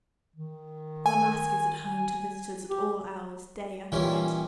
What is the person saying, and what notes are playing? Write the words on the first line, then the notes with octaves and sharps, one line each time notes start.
La Masque is at home to visitors at all hours, day and night.
D#3
G#5
G4
A#2 D#3 E3 G3 C#4